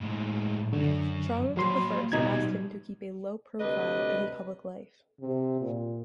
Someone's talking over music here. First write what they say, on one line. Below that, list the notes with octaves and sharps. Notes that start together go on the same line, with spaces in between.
Charles the First asked him to keep a low profile in public life.
A2 G#3
F#2 D3
F#3 A#3 C5 C6
B2 G3 C#4 D#4 G#6
D2 C3 G3 B4 D#5
C3
A#2